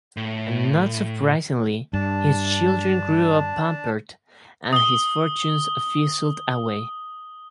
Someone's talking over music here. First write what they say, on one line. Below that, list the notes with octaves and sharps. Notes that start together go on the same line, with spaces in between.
Not surprisingly, his children grew up pampered, and his fortunes fizzled away.
A2
G2 D4 A5
D#6 G7